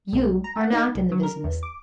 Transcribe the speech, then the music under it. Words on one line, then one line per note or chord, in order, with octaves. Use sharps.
You are not in the business.
B1
A#5
F#5
D#4
C2
F#3
A#4
E2
D6